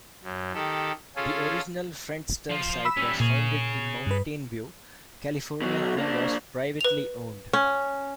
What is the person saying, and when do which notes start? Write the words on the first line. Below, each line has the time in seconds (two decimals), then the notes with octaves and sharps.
The original Friendster site was founded in Mountain View, California and was privately owned.
0.23 F#2
0.54 D#3 G4 A4
1.16 C#4 F4 G#4 A4
2.50 F3 F4
2.85 B5 E6 B6
2.97 G3 C#4
3.20 A#2 G#4 C#5
4.07 G2 B4
5.61 B2 F#3
5.98 A#3 D4
6.81 B4 F7
7.53 C#4 C#6